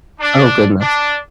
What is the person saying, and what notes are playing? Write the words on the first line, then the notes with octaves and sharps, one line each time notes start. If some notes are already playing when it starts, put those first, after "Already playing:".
Oh goodness.
D4
D4